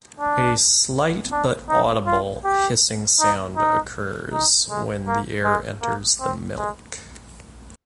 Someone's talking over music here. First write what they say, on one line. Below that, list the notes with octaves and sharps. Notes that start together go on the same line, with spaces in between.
A slight but audible hissing sound occurs when the air enters the milk.
D4
D4
D#4
F4
G4
D#4
D#4
D#4
G#3
A#3
G#3
A#3
C4
G#3